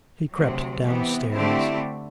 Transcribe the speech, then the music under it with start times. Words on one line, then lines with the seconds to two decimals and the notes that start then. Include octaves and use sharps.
He crept downstairs.
0.34 D2 C3 F#3
0.85 C3 E3 B3
1.35 D3 A3 C4 E4 G4